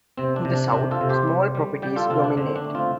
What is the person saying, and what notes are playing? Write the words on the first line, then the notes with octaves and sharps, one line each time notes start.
In the south, small properties dominate.
C3 C4
D4
C3
D4
C3 D4 G4
F4 A4
C3
G4 C5
G3
G3
G3 D5 G5
F4 A4
C3 C4 F4
D4
D3 C4
D4
A3
C4 F4